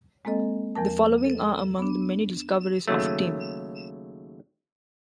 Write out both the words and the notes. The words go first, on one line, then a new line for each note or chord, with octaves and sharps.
The Following are among the many discoveries of Timm.
G#3 A#3 C4 A4 D#5
E2 F3 A#4 A5
A4
B3 D4
D#2 C#3 F#3 A3